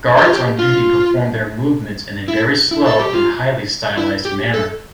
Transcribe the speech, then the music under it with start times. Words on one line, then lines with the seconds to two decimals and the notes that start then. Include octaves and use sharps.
Guards on duty perform their movements in a very slow and highly stylized manner.
0.17 G4
0.25 F4
0.32 G4
0.59 F4
2.28 E4
2.71 E4
2.85 A4
2.99 G4
3.13 F4
3.98 E4
4.25 G4
4.54 A4